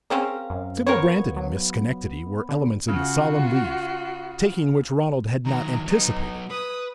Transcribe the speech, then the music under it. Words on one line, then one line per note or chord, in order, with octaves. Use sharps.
Sybil Brandon and Miss Schenectady were elements in the solemn leave-taking which Ronald had not anticipated.
C4 C#4 G#4 A#4 F5
F#2
B3 A#4 C5 C#5
F#3
D3
C#3 F4 F#4
D#3 F#3 A#5
F#3 B3 D#4
B4 D#6